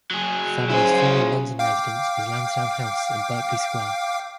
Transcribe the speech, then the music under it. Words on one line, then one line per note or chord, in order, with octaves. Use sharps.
The family's former London residence was Lansdowne House in Berkeley Square.
F#3 G#4
C#3 E4 C5 G#5
F5 G5 D6